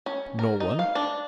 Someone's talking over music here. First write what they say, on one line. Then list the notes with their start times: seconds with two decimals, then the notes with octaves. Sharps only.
"No one."
0.06 C#4
0.39 A#4
0.60 D#4
0.79 F5
0.95 D4